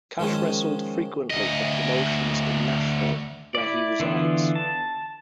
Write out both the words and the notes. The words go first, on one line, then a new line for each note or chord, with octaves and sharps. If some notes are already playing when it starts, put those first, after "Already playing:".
Kash wrestled frequently for promotions in Nashville, where he resides.
D#3 F3 G#3 C#4
D2 D#5
E4 D5
D3 E3 B3 F4
A5